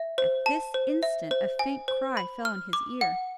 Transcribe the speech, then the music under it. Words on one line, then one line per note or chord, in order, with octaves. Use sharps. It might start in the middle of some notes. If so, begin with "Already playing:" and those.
At this instant a faint cry fell on his ear.
Already playing: E5
C5
A5
C5
E5
C5
G#5
C5
B5
F6
D6
F#5